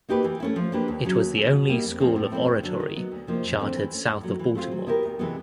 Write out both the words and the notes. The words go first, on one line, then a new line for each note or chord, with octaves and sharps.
It was the only school of oratory chartered south of Baltimore.
A#3 D#4 G4 B4
E3
A3 C#4 E4
F3
A#3 D4 G4 B4
D#2
C#3 F#3
D#2
C#3 E3
B2
G3 A#3 D#4
F2
C#3 F3 A3 C4
A2
F3 A3 C4 E4
D2
D3 F#3
D#3
F#3 B3 D#4
D2
C3 F3 A#3 D#4
F2
D3 F3 A3 C4
E3
A3 C#4
A2
F#3 A3
E3
A3 C4 F4 G#4
F#3
B3 E4 G4 A#4
D2
C3 E3 G#3 B3